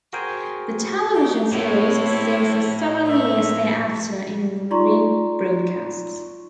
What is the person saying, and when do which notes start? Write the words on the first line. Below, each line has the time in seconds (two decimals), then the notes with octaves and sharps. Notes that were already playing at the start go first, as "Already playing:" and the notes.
The television series was seen for several years thereafter in rebroadcasts.
0.13 F#4 G#4 A#4 C5 G5 G#5
1.15 D#4 F#4 G4
1.52 A2 C4 E4 C#5
3.06 A#3 C4 C#5 E5
4.71 D#4 F4 D5 A#5 C6 C#6